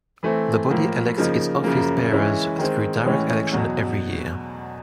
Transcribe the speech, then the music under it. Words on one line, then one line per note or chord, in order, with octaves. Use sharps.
The body elects its office bearers through direct election every year.
E3 A3 C4
A2 F3 A#3
C#3 F3 A#3 D#4
F#2 C#3 F3 A#3
E3 G#3 C#4 E4
D#3 G#3 C4
A2 E3 G#3 C#4
E2 B2 F#3